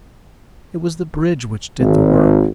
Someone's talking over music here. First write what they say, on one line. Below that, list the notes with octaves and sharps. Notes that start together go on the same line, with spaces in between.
It was the bridge which did the work.
G#1